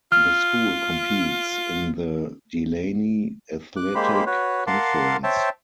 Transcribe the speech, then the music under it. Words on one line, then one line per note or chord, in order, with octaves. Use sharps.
The school competes in the Delaney Athletic Conference.
F4 F6
D6 F#6
G#3 A#3 G4 C5 B5
F#4 B4 C#5
A#4 F5 F#5 A5 C6 D6
C5 C#5 E5 G5 A5